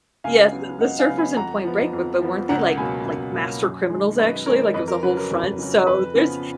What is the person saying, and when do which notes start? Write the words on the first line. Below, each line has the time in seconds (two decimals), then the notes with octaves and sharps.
Yes, the surfers in Point Break, but weren't they like like master criminals, actually? Like, it was a whole front. So there's
0.24 C#2 F5 G#5
0.52 C#3 F#3 B3
0.80 C#2 D#5 F#5
0.99 F5 G#5
1.08 C#3 F#3 B3
1.18 G#5 B5
1.37 F2 F#5 A#5
1.64 F3 B3
1.93 F2
2.22 F3 B3
2.49 C#2 F#5 A#5
2.78 B2 F#3 A#3 G#5 B5
3.05 C#2
3.33 B2 F#3 A#3
3.62 F#2
3.89 D#3 G#3
4.18 F#2 B4 D#5
4.46 D#3 G#3 A#4 C#5
4.74 F2 B4 D#5
4.88 A#4
5.03 C#3 F#3 B4
5.17 A#4
5.30 F2
5.58 C#3 F#3
5.87 F2 B4
6.15 C#3 F3 B3